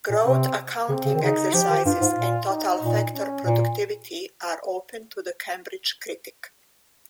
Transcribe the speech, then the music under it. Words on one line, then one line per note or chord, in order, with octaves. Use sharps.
Growth accounting exercises and Total Factor Productivity are open to the Cambridge Critique.
A#2
C3 C4
C#3 C4
C#3
D#3
C#3 D#4
F3 G4
D#3
G2 F4
G#2
A#2
D#4
A#2
C#4
A#2